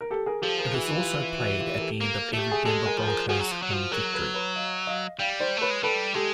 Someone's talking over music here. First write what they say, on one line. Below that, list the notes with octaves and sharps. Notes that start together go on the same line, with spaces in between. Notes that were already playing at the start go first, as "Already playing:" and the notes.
It is also played at the end of every Denver Broncos home victory.
A#4
G4 A4
G#4 A#4
F3 G4 A4
G#4 A#4
E3 F#4 G#4
F4 G4
F4
F#4
F4 G4
A#4
G4 A4
A#3
A3 G4
G#4
G#3 G4 A4
G#4 A#4
F3
G#4 A#4
F3 F#4 G#4
F#3
F3
F#3
F3 F#4
F#3 G#4 A#4
A4 B4
B4 C#5
D#5 F5
D#5 F5
G3 F5 G5
C5 D5
A3 B4 C#5
G#3
G3 A4 B4
G#3 G4 A4